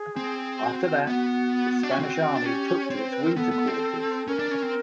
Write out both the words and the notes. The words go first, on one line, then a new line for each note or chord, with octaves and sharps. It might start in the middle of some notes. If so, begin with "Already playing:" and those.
After that, the Spanish army took its winter quarters.
Already playing: G#4
C4
F#4
B3
D4
C#4
C4
D4
C#4 G4
C#5
C4
C5
B4
A#4
B3 A4
B3
C4
C#4 A#4
D4
C#4
C4